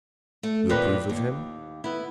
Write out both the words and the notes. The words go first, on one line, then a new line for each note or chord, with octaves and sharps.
"You approve of him?"
A3
D#2 A#2 F3 C4 G4 B4
D#2
B3 E4